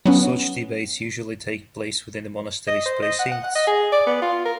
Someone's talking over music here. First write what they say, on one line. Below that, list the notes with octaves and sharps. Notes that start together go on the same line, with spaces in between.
Such debates usually take place within the monastery's precincts.
F#3 B3 C#4
D#5
C5
D#5
F#5
F#5
F#5
D#5
G#4
D5
B3
F4
A#4